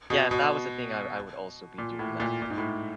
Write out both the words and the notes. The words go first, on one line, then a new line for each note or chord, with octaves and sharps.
Yeah, if that was the thing, I would I would also be doing that,
B2
B2
A#2
A2
A#2
A#2
G#2
A2